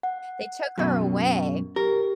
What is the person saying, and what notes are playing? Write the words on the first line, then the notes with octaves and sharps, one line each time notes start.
They took her away,
F#5
F#2 B2
G4 A#4